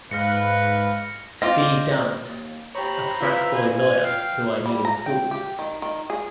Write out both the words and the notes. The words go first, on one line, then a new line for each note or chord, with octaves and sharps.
Steve Dallas...a frat-boy lawyer who I knew in school.
G#2 B4 F5 F6 A#6 C#7
C4 F4 D#5 D6
D#2
G4 C5 C#5 A#5 B5
E4 F4 B4 E5
G#5
F5 G5
G3
A#5
G5
G4
D#3
D#3
G#4